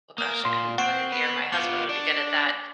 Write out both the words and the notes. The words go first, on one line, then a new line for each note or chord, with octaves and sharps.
Oh gosh, I couldn't tell you the year. My husband would be good at that
A#3 D#6 F6 E7
A#2 C6
C4 F#5 C#6 C7 D7
B3 B4
B3 F4 D6 C#7 F7
D4 D5